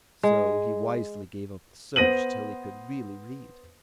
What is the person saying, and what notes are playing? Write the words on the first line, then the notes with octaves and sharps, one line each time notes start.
So he wisely gave up the search till he could really read.
G#3
B3 C5 A#6 D#7 F#7